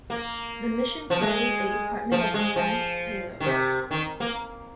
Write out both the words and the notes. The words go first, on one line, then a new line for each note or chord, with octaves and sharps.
The mission carried a Department of Defense payload.
A#3
F3
G#3
F3
G#3
F3
D#3
C3
D#3
A#3